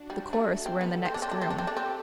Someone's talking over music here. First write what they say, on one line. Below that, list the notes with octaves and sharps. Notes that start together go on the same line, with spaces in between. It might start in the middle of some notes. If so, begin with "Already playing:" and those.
The chorus were in the next room.
Already playing: D4 F#4
G3
A3 A4
C4
B3 G4
C4
D4
C4
D4
C4
D4
C4
D4
C4